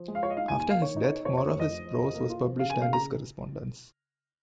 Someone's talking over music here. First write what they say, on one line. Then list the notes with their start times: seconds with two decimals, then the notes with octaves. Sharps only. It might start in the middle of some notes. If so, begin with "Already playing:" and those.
After his death, more of his prose was published and his correspondence.
Already playing: F3
0.08 G#3
0.15 F5
0.23 F4 C#5
0.30 D#5
0.37 D#4 F5
0.48 G#5
0.52 D#2
0.60 G#5
0.67 A#3 F5
0.81 D#3 C#5
0.96 D#4
1.04 C#5
1.11 D#4
1.25 F2 C#5
1.37 C#5
1.41 F2
1.48 C#5
1.56 F1 D#5
1.70 F3
1.85 F3
2.00 F2
2.15 A#3
2.29 F4
2.44 F3
2.59 C#3 F5
2.70 G#5
2.74 A#3
2.81 F5
2.89 C#3 A#5